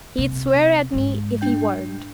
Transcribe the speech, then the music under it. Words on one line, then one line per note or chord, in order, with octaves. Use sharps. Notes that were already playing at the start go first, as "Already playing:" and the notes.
'He'd swear at me if he weren't.
C3
G#2 G#3
D4 G5 G6